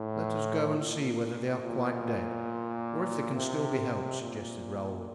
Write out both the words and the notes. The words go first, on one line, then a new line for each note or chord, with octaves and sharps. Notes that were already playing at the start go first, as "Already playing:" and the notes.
"Let us go and see whether they are quite dead, or if they can still be helped," suggested Raoul.
Already playing: A2
A#2
A#2
C3
A#2